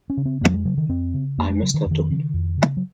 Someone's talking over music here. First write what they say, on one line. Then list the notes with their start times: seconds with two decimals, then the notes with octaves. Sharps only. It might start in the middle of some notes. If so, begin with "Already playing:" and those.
I must have done.
0.10 C#4
0.17 C#3
0.25 C4
0.41 F2 A#3
0.48 F#3
0.54 G#3
0.65 C#3 F#3
0.78 D#3
0.89 F2 C4
1.14 C#3
1.38 F2 A#3
1.50 G#3
1.61 C#3 F#3
1.74 D#3
1.86 F2
1.91 D#3
2.10 C#3
2.34 F2
2.58 C#3
2.77 F#3